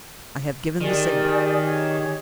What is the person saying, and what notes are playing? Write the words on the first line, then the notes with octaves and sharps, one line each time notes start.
"I have given the signal."
D#3 G4 G#4 D5
G4 G#4 C#5